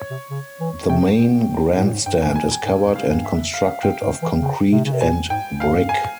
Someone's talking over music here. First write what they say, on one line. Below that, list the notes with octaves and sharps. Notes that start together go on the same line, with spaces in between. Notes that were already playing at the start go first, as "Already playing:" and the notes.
The main grandstand is covered and constructed of concrete and brick.
Already playing: C#5
C3
C#3
E3
C3 G5
A#2
G#2
A#2
G#2
G2 G5
G2 G#5
G#5
A#2
G#5
G#2 G5
F2
F5
G2
E5
F5
G2 G5
G#2
E3
C#3
C3
C#3
C3
A#2 G#5
G#2 G5
G2 F5
G#5